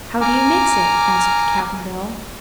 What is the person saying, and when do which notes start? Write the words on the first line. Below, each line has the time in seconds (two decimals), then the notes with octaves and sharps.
"How do you mix it?" asked Cap'n Bill.
0.21 G#5 A#5 D6 F6